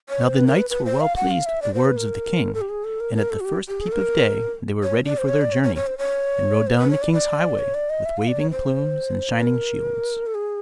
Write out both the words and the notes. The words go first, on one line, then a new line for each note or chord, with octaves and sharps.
Now the knights were well pleased with the words of the king, and at the first peep of day they were ready for their journey, and rode down the king's highway with waving plumes and shining shields.
C#5
C5
B4
A#4
B4
B4
C5
F5
F#5
F5
E5
D5
C5
B4
A#4
A4
G4
G#4
A4
A#4
A#4
A4
F#4
G4
G4
G#4
A4
A#4
C#5
D5
C5
C#5
D5
C#5
C#5
C#5
C5
C#5
C5
B4
C#5
D5
D5
C#5
D5
D#5
E5
F5
D5
C#5
C5
B4
A#4
A4
G#4